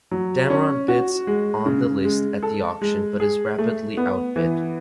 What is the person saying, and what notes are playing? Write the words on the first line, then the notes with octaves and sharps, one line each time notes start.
Dameron bids on the list at the auction but is rapidly outbid.
F#3
C#4
F#4
G#3
C#3
G#3
A4
G#3
G#4
A3
B3
E3